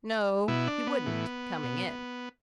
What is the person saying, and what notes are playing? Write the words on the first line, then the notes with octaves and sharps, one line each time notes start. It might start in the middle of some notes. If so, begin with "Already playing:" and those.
"No, he wouldn't, coming in."
B2 E4
D4
B3
A2 E3
B2